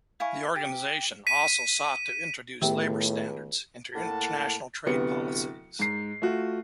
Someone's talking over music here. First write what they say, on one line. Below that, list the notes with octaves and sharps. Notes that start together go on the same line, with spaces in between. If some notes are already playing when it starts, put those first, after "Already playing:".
The organization also sought to introduce labour standards into international trade policies.
E4 F5 G#5 C#6
G4
B6 D#7
C#2 A2 D#3 A3 B3 G4 E5 G5
A2 A#3 F#5 A5
D1 C3 B3 C#7
G#2 C7
A3 F4 F#4